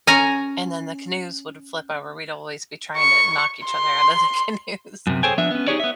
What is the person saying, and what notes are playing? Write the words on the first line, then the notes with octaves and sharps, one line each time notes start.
and then the canoes would flip over. We'd always be trying to knock each other out of the canoes
C#4 G#5 A#5
C#6
C6
F#2 C3
G#4 A4 C5 C#5 G5 G#5
F3 B3 D4 E5
B3 C#4
D#4 F4 G4 G#4 C#5 D5
B3 E5